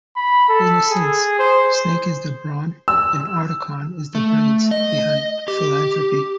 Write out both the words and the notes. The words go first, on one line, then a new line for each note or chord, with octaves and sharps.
In a sense, Snake is the brawn and Otacon is the brains behind Philanthropy.
B5
A4
G#4
C5
E6
A3
D#5
G4